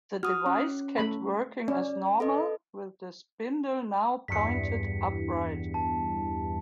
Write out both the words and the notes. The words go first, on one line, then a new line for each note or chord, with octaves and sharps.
The device kept working as normal, with the spindle now pointed upright.
F#4 D#6 F6
C#4
A3 B5
C#4 D5
A4 B4 D#5
E2 G2 B6 C#7
A5